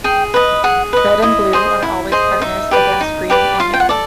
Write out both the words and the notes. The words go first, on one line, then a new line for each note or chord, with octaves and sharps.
Red and blue are always partners against green and yellow.
G#4 G5
B4 D#5
G#4 F#5
B4 D#5
E4 D#5
G#4 C5 D#5
E4
G#4 C5 D#5
D#4 E5
G4 B4 D5
D#4
G4 B4 D5
F4 F5
G5
F#5
A4 D5